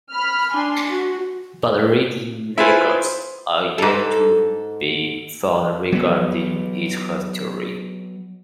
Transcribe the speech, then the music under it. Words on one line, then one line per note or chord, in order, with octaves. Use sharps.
But written records are yet to be found regarding its history.
B5 F6
D4 G#5 C6
F#4
E4 F4 B4 C5 E5 G#5
G#2 A4
F#3 B3